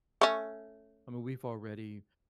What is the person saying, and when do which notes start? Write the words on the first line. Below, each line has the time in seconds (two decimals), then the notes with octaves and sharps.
I mean, we've already
0.21 A3 C#4